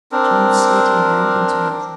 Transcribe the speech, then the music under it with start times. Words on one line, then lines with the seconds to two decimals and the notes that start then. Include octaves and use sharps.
June slid her hand into his.
0.12 C4 D4 A#4